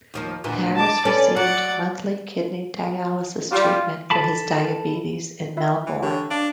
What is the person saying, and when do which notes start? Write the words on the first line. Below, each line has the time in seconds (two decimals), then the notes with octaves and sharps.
Harris received monthly kidney dialysis treatment for his diabetes in Melbourne.
0.14 D#2 F3 A#3
0.44 D2 A#2 E3
0.76 A5 D6
1.05 C#4 A4 B4 D5
1.36 F#3 D5 F#5
3.52 G3 F4
4.10 A4 A5 B5 D6
5.57 F4 E5 B5
5.86 E3
6.02 D3 G4 A#4 C#5
6.31 D4 F5